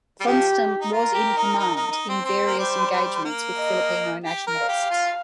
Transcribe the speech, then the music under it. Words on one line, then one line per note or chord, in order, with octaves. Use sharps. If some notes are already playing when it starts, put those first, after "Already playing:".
Funston was in command in various engagements with Filipino nationalists.
G3
F3 G4
D#4
F4 A#4
G4
D#4
D#4
D#4
D#4
C4
C4 C5
A#3
G3
G3
A#3
D#5
G4
A#4
F5
G4
F4